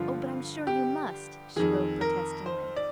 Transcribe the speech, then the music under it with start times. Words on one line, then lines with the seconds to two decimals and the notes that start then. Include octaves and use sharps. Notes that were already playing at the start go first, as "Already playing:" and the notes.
"Oh, but I am sure you must," she wrote protestingly.
Already playing: G2 D3 F3 F4
0.67 G4
1.56 F2 D#3 G#4
2.01 A#4
2.46 C5
2.76 D5